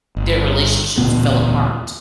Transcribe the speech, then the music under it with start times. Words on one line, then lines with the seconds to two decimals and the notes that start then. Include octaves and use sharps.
their relationships fell apart
0.17 G1
0.98 E1 D2 A#2 B3